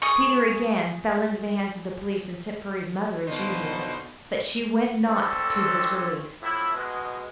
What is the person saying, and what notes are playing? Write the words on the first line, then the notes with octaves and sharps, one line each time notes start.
Peter again fell into the hands of the police, and sent for his mother, as usual; but she went not to his relief.
G#4 C#6
B2 D3 D#4 F4 C5
D2 G2 C4 C#4 A4
A2 F3 E4
B2 G#3